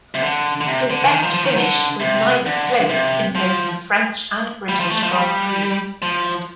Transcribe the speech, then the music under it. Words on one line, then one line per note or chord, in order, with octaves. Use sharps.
His best finish was ninth place in both the French and British Grands Prix.
C3
D3
D3
C3
D3
D3
D#3
F3
F3
D#3
D3
C3
D3
C3
F3
G3
F3
A3
F3
G3
F3